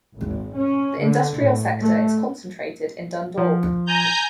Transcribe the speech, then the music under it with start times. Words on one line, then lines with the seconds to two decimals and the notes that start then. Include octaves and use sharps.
The industrial sector is concentrated in Dundalk.
0.18 G#1
0.56 C#4
1.01 D3
1.38 A2
1.79 A3
3.38 F3
3.86 G#5 A#5 G6